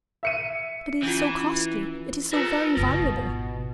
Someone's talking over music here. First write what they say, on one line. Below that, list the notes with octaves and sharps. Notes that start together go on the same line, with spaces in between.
"But it is so costly--it is so very valuable."
E5 C#7 D#7
E3 C#4 F4
F4 A#4 B4 A5
F#1 B2 E4
G#1 C#4